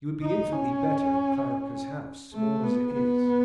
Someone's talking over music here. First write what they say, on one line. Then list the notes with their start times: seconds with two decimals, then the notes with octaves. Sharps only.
You would be infinitely better in Clarriker's house, small as it is.
0.22 D#4
0.52 C#4
2.34 A3
2.64 B3
2.94 B3